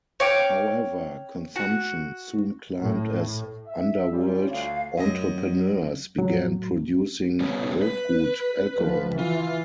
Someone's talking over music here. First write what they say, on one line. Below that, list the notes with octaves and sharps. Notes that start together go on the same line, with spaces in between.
However, consumption soon climbed as underworld entrepreneurs began producing "rotgut" alcohol.
C#5 F5 G5 D6
F#4
A2
E5
G3 C#4 F4
D2 F5
F#2 D#5
A2 F#3
G3 B3 C#4
B4
F3
E3 F4